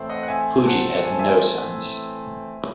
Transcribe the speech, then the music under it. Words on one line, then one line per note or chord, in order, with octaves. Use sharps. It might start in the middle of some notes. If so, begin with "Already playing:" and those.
Pujie had no sons.
Already playing: A2 E3 A3 C4
D#5 F#5
F#5
E5 G#5
F#5 A5
G#5
A5
E5 G#5